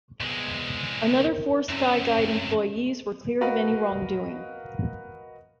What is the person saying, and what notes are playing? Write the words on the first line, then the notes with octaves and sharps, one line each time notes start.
Another four Skyguide employees were cleared of any wrongdoing.
C2 G#3 B3
A#4
F#2 C3 C#4
F#4 A#4 B4 D#5 F5